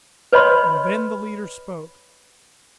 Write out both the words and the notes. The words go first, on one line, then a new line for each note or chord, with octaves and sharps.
And then the leader spoke.
B4 C#5 D#5 B5 C6